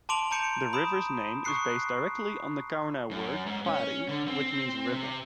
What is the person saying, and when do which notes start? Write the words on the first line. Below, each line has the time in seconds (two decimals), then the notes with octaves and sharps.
The river's name is based directly on the Kaurna word "pari" which means river.
0.09 A5 C6 D6 D7 F7 F#7
0.31 A5 A#5 D6 G6 C#7 D7
0.73 B5 D#6 D7 E7
1.44 C#6 D#6 F#6 C7 C#7
3.11 F#2
3.46 G#2
3.66 C#4
4.09 D3
4.28 C4
4.92 C3